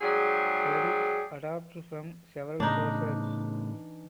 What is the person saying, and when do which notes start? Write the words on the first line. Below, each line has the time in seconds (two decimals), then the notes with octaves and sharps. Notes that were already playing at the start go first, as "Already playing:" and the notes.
Credits adapted from several sources.
0.01 G#2 F#3 G3 G#4
2.60 A2 C#3 E3 D4 D#4